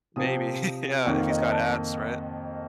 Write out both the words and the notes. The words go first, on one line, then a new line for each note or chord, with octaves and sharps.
Maybe, yeah, if he's got ads, right?
C3 F3 C4 D#6
F2 D#3 A#3 F#5
F5
D#5
D#5
A5